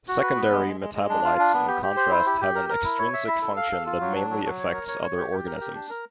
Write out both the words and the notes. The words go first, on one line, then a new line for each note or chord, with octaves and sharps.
Secondary metabolites in contrast have an extrinsic function that mainly affects other organisms.
F#4
B4
B3
G#3
G#3
G#3
G#3
D4
F4
D4
B3
G4
G4
C5
E4
G4
G4
A#4
A#4
E4
C#5
E5
E4
A4
F5
A4
F4
F#3
D4
F#3
F#3
C#5
A#4
C#5
C#5
G4
G4
A#4
G4
D4
A#4